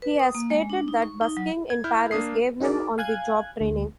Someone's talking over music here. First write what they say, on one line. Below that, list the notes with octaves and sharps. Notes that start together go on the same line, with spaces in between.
He has stated that busking in Paris gave him on the job training.
B4
D#6
A#3
G#3
D4
D#4
C#6
D#4
F#3
G#6
E4 F6 G6
A#3 D4 D#6 C7
D#4 F#4 G#4 A#4 D5
F5 G#5 F#6 G#6
D2